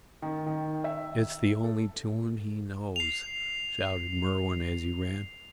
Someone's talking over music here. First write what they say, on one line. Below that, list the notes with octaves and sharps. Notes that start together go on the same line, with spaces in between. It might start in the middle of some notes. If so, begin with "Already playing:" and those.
"It's the only tune he knows," shouted Merwin, as he ran.
D#3
D#3
E5
A4
C7 F7